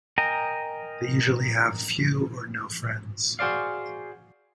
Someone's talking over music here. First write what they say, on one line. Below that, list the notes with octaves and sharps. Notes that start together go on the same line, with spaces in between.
They usually have few or no friends.
A#4 D#5 G5 G#5 A#5
F#4 G#4 C5 D5 F5